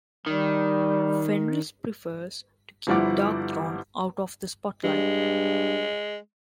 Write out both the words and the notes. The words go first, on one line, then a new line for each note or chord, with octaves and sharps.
Fenriz prefers to keep Darkthrone out of the spotlight.
D#3 G3
G1 F3 G3 E4 F#5 D6
G2 G#3